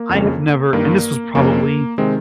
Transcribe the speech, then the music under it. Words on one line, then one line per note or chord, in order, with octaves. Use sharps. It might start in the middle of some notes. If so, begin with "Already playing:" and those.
I have never, and this was probably
Already playing: A#3
F2 C#3
G2 D#3 A#3
F2 C#3 A#3
C3 D#3 G#3 C4